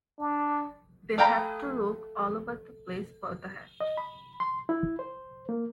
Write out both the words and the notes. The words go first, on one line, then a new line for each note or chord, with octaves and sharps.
They had to look all over the place for the hat.
D4
A3 F5 G5 A#5 B5
D#5
B5
C6
E4
C5
A#3